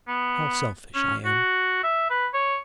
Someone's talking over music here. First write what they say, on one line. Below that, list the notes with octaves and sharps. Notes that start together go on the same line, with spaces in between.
How selfish I am.'
B3
C#4
F#4
E5
B4
C#5